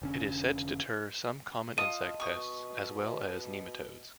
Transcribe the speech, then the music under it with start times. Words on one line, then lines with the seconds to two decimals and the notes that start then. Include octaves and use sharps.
It is said to deter some common insect pests, as well as nematodes.
0.02 F1 D3 C#4
1.78 F4 D#5 A5 D#6 D#7
2.20 B2 C#6 D#6